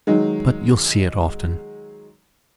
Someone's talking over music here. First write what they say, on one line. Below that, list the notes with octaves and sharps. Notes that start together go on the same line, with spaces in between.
But you'll see it often.
D#3 F#3 G#3